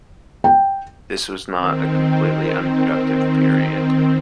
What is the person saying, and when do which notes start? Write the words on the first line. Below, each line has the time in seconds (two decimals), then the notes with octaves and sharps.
This was not a completely unproductive period.
0.44 G5
1.54 D#3 C4